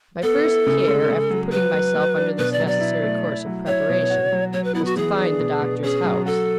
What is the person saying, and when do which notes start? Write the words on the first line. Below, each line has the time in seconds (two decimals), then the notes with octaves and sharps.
My first care, after putting myself under this necessary course of preparation, was to find the Doctor's house.
0.23 B3 A4
0.44 E4
0.66 C#3
0.87 G#3
1.09 C#3
1.30 F#3
1.51 F#3 B4
1.74 F#3
1.95 F#3
2.17 D4
2.38 B2 B4
2.53 D5
2.60 F#3
2.67 D5
2.81 E4
3.02 A3
3.25 E4
3.46 F#3
3.67 E4 C#5
3.89 B2
4.10 F#4
4.32 F#3
4.53 F#3 C#5
4.64 B4
4.75 B3 E4
4.85 F#4
4.97 E3 G#4
5.17 D4
5.40 B2
5.61 B2
5.83 C#4 G#4
6.04 F#3
6.26 F#4 A4